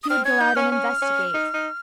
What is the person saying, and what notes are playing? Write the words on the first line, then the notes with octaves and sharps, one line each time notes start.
He would go out and investigate.
D#6
C4 F6
C#4 G#6
D#4 G6
C#4 F6
C#4
C#4
D#4
D#4